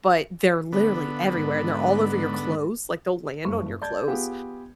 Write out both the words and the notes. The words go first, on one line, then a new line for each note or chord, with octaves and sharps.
but they're literally everywhere, and they're all over your clothes like, they'll land on your clothes,
D3 B3
G#2
F#1 G2 C#6
D5 A5 G6 G#6
B3 F4 G4 G#4